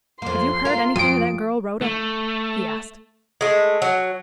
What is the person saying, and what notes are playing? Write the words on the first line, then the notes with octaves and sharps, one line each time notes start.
"Have you heard anything of that girl Rhoda?" he asked.
F2 A#3 C6
F4 A#4
F2 D#6 D7
A3
G#3 A3
F#3